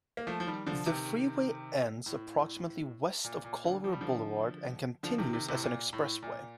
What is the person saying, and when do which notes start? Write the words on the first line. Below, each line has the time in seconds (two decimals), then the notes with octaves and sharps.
The freeway ends approximately west of Culver Boulevard, and continues as an expressway.
0.17 A#3
0.27 F3 A3
0.40 F3
0.47 D#3 G3
0.66 D3 F3
0.86 C3 D#3
2.06 A2
3.25 A#2
3.45 A#2
3.64 A#2 D3
3.84 F3
3.92 G3
4.01 D3 F3
5.03 D3 F3
5.18 C3 D#3
5.33 C3 D#3
5.48 A2 C3
5.63 A#2
5.93 A2
6.23 A#2